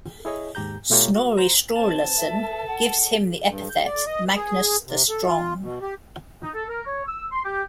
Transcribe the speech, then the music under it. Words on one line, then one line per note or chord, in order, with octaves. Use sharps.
Snorri Sturlason gives him the epithet "Magnus the Strong".
E4 G#4 C#5 D#5
D#2 G#2 G4 A#5 G6
B2 A3 F4 G4 C#5 A#5
F#4
C5 A#5
C4 A5
A4 E5
F#5
G2
G6
D5
D#5
G#4
C3
A4
F4
B2
G4
D#4
A4
A#4
C#5
E6
C6
G4